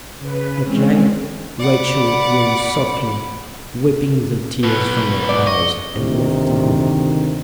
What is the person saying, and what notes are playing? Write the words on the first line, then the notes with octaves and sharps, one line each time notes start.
At length Rachel rose softly, wiping the tears from her eyes, and left the room.
C#3 B4
E3 G#3 C4 C#4
D5 F#5 B5 D6
B1 B2 B4
D5
D#5 C#6
D2 C3 D#3